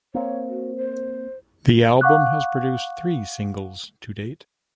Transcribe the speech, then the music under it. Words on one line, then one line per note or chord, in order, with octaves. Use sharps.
The album has produced three singles to date.
A#3 C4 C#5
F#4
C5
F5 F#5 C#6 D6 F#6